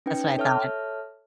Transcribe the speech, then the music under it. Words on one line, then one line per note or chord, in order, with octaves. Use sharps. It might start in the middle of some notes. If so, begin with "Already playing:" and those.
That's what I thought.
C#4 D#4 B4 G5
A4 C#5 E5 A5 F6